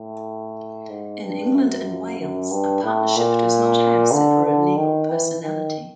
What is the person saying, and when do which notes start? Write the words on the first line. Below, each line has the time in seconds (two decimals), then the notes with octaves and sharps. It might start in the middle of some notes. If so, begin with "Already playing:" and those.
In England and Wales, a partnership does not have separate legal personality.
Already playing: A2
0.90 G#2
1.23 G2
1.55 F#2
2.20 F#2
2.51 G2
2.84 A2
3.16 A#2
4.13 D3
4.45 D3
4.77 D#3
5.09 E3
5.42 D#3